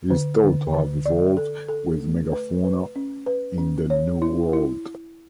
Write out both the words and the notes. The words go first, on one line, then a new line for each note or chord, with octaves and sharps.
It is thought to have evolved with megafauna in the New World.
D3
D3
D3
D5
A4
A4
A3
B4
B4
C#4
B4
C#4
C#5
E4
E4